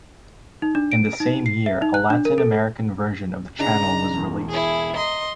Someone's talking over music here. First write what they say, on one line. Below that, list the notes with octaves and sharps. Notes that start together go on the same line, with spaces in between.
In the same year a Latin American version of the channel was released.
D#4
D4
D7
D#4
C7
E5
D#4
F#6
D4
A#4
A4
C#3 D4 D#4 A#5
E1 E2
E4 G#4
D#5 A#5 C6